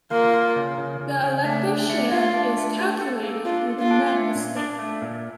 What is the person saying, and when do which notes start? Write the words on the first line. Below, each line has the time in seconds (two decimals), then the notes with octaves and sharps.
The elective share is calculated through the net estate.
0.11 A#3 F4
0.34 F4
0.56 C#3
0.78 C#3
1.00 C#3
1.23 C#3
1.44 A3 D4
1.67 D4
1.90 A3
2.11 A3 F4
2.34 D4
2.57 A3
2.78 G4 A4
3.01 A4
3.23 A#3
3.45 D4 F4
3.67 A4
3.79 F4
3.91 D4
4.12 A3
4.35 A#2
4.56 D4
4.79 A3
5.02 A#2